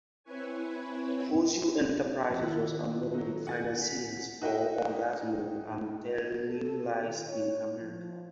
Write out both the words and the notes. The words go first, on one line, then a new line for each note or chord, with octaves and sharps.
Kuzui Enterprises was among the financiers for "Orgazmo" and "Telling Lies in America".
C4 E4 B4 C#5 G#5
F2
D#3 E4 E5 F#6
F4
F#3 D#4 A4
F#5 G#5 A6
B6
D#4 F#4 D#5 E5 G5
A4
D#3
C#5
F3